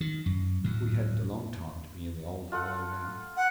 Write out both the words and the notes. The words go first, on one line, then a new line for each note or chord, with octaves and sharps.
We hadn't a long time to be in the old Hollow now.
D#3
F#2
D2 A2 F#3
F4 A4 F#5
F#5